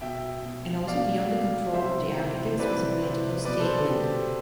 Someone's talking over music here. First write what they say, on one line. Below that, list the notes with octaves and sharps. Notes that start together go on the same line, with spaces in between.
And also beyond the control of the architects was a political statement.
B2 E5 G5
B2
B2 D5 F5
B2
C3 E3 C5 E5
C3 E3
C3 E3 B4 D5
C3 E3
B2 B4 D5
A4 C5
A4
B2 G4